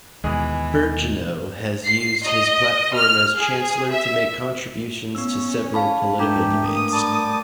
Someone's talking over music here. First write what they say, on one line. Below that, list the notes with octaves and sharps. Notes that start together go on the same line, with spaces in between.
Birgeneau has used his platform as Chancellor to make contributions to several political debates.
D#2 B2 E3 G#3 G#4
C7
D#5
F6
G#4
E5
B3 C#4 E6
F5 A5 B5
G#2 A3 D4 G4 B4 A#5
A2 A#3 D#6
G3 A5 D6